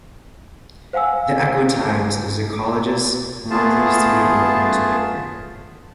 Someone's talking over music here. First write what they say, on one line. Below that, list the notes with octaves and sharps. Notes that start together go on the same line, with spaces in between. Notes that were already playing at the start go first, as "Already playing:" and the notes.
"The Echo Times" is the college's monthly student-run newspaper.
C5 F5 F#5 G#5 E6
A3 B3 F4 G#4 A5